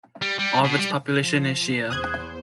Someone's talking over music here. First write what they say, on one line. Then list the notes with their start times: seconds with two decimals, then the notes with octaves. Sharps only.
All of the its population is Shia.
0.22 G3
0.39 G3
0.64 B2
0.78 G3
1.18 F3
1.90 E2 C5 D#6 F#6 G#6